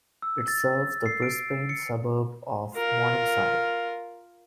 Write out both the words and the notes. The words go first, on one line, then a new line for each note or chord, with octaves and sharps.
It serves the Brisbane suburb of Morningside.
E6
A6
C7
D7
C#7
F4 A#4